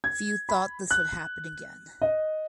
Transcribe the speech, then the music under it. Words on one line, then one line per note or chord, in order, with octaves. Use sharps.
Few thought that this would happen again.
G#6
B5
F#6
D#5